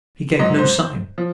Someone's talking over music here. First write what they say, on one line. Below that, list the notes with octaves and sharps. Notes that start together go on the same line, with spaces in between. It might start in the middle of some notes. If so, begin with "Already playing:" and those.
He gave no sign.
G#2 F#3 D#5
C5
F3